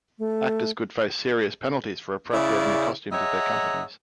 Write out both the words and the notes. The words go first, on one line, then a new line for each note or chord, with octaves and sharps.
Actors could face serious penalties for appropriating the costumes of their companies.
A3
C#3 E4 D5
G#4 C#5 D#5 E5 F#5 A#5